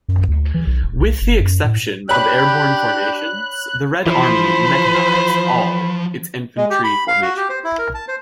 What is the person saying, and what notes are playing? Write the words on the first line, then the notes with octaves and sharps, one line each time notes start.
With the exception of airborne formations, the Red Army mechanized all its infantry formations.
F#2
D2
E3
B1
D#1
B1
F#1
F#2
A2
D4 G4 C#5 B5 F#6
E3 F3 C5 B5
G#3
G4
B5
F5
F#4
G4
C5
E4
A#4
A5
C5